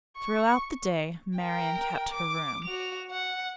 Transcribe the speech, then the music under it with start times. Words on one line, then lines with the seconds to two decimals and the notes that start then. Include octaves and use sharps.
Throughout the day Marian kept her room.
0.17 C#6
1.38 A#4 G5
2.12 D6
2.65 F#4 F7
3.10 F#5